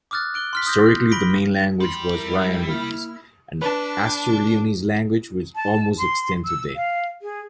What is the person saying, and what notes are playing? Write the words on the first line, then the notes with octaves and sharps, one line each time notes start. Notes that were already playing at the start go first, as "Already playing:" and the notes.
Historically the main language was Rionorese, an Astur-Leonese language, which almost extinct today.
D6 D#6 F6 F#6 A6
F#6 D7 G7
C6 F6 B6
D#6 F6 G6 A#6
F6
B5 A#6 B6 D7 G7
G3 C6
E4 A#4
A#3 F6
D4 B4 A5
A5
C6
E6
F5
G#4